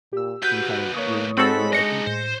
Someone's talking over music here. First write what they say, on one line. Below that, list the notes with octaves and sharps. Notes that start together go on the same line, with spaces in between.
can kind of ruin your mood, I think
A#2 G4 E6
D#2 F#4 B4 G6
A#3 C#5 C#6 D#6
G#3 C4 F#4 A4 B5
D4 D#4 A#6 C#7
A2 C5